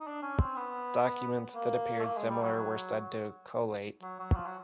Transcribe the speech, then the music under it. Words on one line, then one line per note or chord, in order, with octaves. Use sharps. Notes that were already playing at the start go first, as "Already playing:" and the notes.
Documents that appeared similar were said to "collate".
D#4
D4
C#4
C4
B3
A#3
A3
A#3
G#3
G3
F#3
F#3
F#3
F3
F#3